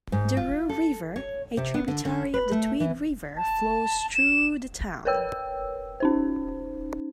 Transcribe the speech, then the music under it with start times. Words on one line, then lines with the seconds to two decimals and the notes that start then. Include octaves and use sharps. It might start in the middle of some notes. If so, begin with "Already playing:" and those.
The Rous River, a tributary of the Tweed River, flows through the town.
0.12 G#2
0.37 F4
0.69 A4
1.16 C#5
1.57 C3
1.74 B3
1.88 D3
2.05 D3
2.34 B4
2.51 A3
2.80 E3
3.37 A5
4.14 E7
5.05 A#4 B4 C#5 G5 E6
6.00 C#4 D#4 C5